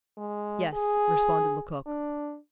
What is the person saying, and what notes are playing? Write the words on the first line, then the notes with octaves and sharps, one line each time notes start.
"Yes," responded Lecoq.
G#3
G#4
D4